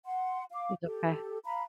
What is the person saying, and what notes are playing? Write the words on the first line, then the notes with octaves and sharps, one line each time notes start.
He's okay.
F#5 C6
F5 D6
G4 A4
F5 A#5 B5